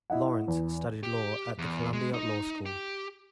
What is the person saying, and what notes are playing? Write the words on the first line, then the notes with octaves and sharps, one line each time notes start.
Lawrence studied law at the Columbia Law School.
E4 D#5 F#5
E2
G4
E2
G#3
D#4
G4